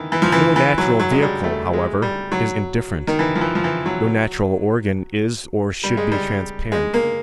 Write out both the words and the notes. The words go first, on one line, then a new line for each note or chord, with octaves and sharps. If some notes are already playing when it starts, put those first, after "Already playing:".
No natural vehicle, however, is indifferent; no natural organ is or should be transparent.
Already playing: D#3 E3
E3
F3
E3
E3
F#3
F#3
G#3
G3
A3
G#3
G3
F#3
D#3
E3
F3
E3
F3
E3
F#3
G3
G#3
G3
G#3
A#3